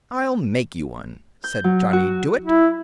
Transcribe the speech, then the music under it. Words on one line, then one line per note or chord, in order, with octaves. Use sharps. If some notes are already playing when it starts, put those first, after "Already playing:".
"I'll make you one," said Johnny Dooit.
G6
F#3
F#4
E4